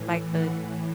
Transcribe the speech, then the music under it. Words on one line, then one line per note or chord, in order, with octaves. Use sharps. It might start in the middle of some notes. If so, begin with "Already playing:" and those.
like, the
Already playing: A2 E3
F#5